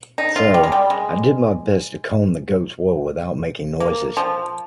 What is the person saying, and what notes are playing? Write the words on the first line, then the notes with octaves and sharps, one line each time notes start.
So I did my best to comb the goat’s wool without making noises.
D#4
F4
G3
G#3
G3
G#3
A#3
F3